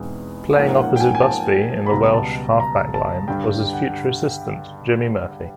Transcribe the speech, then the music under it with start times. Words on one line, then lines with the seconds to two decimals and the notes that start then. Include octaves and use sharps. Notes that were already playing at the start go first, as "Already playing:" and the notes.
Playing opposite Busby in the Welsh half-back line was his future assistant Jimmy Murphy.
Already playing: E2 B2 G#3 C4 D#4
0.55 G#2 F3 A#3 C#4 F#5
0.77 F#5
0.96 G5
1.00 G#5
1.15 G#5
1.22 A5
1.86 B5
1.91 C#2 B2 G3 A#5
2.14 A5
2.60 A#5
2.94 A5
3.28 G2 D3 G3 G5
3.73 F#5